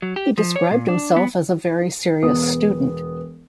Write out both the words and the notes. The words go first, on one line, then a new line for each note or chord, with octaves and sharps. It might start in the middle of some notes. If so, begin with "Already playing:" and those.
He described himself as a very serious student.
F#3
G4
F3
C#5
A#2
D4
B3
E1 B3 D#6